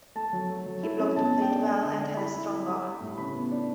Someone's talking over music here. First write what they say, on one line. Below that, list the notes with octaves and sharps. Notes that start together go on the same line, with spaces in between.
He blocked the plate well and had a strong arm.
A3 A5
F#3
A3
F#3
E4
C#4
B2 A5
A3
G5
D4
A3
D3
D4
E4 B5
E4
A3
G3
G3
A2
C#3 B5
B3
D4